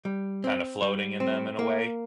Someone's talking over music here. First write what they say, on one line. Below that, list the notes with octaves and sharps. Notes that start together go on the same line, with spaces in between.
kind of floating in them in a way.
G3
C4
G3
C4
A#3